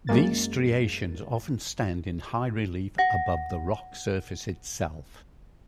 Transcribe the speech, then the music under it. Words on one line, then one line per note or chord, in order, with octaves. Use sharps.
These striations often stand in high relief above the rock surface itself.
F#2 G#3 A#3 A6
F#5 A#6